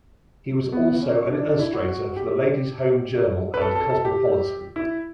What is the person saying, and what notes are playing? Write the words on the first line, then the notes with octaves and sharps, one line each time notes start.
He was also an illustrator for the "Ladies Home Journal" and "Cosmopolitan".
B3
C#4
D4
D4
E4
F#4
F#4
G4
B4
A4
A4
A4
G4
E4